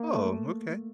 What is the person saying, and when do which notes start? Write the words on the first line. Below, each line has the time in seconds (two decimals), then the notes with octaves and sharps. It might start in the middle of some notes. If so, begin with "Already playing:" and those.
Oh, okay.
Already playing: A#3
0.15 A3